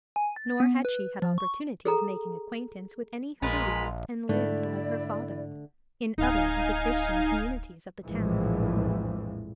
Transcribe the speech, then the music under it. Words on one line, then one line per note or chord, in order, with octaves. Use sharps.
Nor had she had opportunity of making acquaintance with any who believed and lived like her father, in other of the Christian communities of the town.
G#5
A6
B3
B4
F3
C#6
G#4 A4 A#5
A#1 G#3 F4 A#4 B4 B5
G#2 D3 A3 E4 D5
D1 D#4 F5 G#5
A#1 F2 A2 E3 F3 G#3